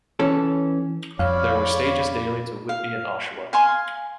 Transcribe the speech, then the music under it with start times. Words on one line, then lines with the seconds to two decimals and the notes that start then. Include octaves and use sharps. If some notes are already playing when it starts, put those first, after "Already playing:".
There were stages daily to Whitby and Oshawa.
0.19 E3 C#4 A4
1.19 F2 C#5 D5 F5 B5
2.69 F5
3.53 F5 G#5 C6